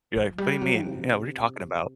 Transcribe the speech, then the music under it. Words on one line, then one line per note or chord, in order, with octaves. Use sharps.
You're like, "What do you mean? Yeah, what are you talking about?"
F3
G3
F#3
C3